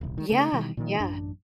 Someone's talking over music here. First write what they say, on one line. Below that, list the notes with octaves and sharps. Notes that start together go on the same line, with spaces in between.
Yeah, yeah,
D#1 C2
D#3
C#3 A3
B2 D#3 E3 G3
A#2 D#3 F3
A1 F#2 D4